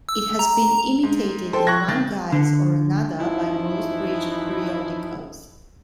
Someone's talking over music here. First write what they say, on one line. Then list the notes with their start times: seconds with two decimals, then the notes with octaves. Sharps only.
It has been imitated in one guise or another by most bridge periodicals.
0.09 E6
0.39 A#5
1.03 G#2
1.53 A4 C5 G5
1.67 C#6 F#6 G#6 A#6
1.88 D#3 A6
2.32 D3
3.18 F#2 E3 F3 D#4 E4